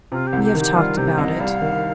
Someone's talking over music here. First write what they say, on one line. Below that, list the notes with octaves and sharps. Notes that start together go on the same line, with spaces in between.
We have talked about it.'
C3 F4
G4
C2
G4
D#3
G4
G3 F4
C3 G4
C2 D#5
G3 F5
D#3